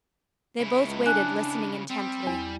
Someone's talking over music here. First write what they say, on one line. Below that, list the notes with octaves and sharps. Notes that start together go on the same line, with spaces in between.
They both waited, listening intently.
C#3 E4
C#2
D4 G#5 F#6
G3 C4
E2